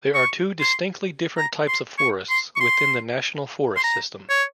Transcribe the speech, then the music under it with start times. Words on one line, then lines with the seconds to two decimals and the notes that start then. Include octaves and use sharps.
There are two distinctly different types of forests within the National Forest system.
0.14 C#6
0.60 C6
1.37 A#5
1.68 C6
1.98 C#6
2.29 C6
2.56 C#6
2.60 C6
3.76 C6
3.84 A#5
4.30 C#5